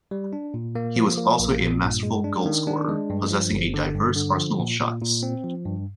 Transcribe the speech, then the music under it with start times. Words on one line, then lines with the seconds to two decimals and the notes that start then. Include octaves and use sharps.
He was also a masterful goal scorer, possessing a diverse arsenal of shots.
0.11 G3
0.33 D4
0.54 A#2
0.75 A#3
0.96 F3
1.18 A#3
1.40 A#1
1.61 A#2
1.82 G2
2.03 G#3
2.24 D4
2.46 D#3
2.67 D4
2.89 G#3
3.09 G2
3.31 F3
3.53 G1
3.74 D3
3.95 G2
4.16 D3
4.37 F3
4.59 A#2
4.80 A#2
5.02 A#2
5.23 C4
5.44 F3
5.66 G2